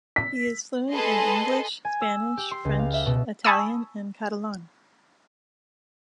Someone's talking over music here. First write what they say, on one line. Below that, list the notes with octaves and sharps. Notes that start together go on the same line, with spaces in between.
He is fluent in English, Spanish, French, Italian and Catalan.
B6
G#4 A4 B4 D#5 C6
G#5
E6
G4
C6
C#2
F5
E5
B2
G#5 A5 B5 C#6 D#6 E6